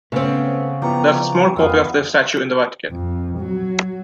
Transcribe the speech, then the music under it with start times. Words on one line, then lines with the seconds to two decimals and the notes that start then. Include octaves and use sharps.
There is a small copy of the statue in the Vatican.
0.12 C#3 A3 B3 C4
0.82 F3 B3 E4 D5 G5 A#5
1.56 F2 B3 F4 E5 G#5
2.90 F2
3.38 F#3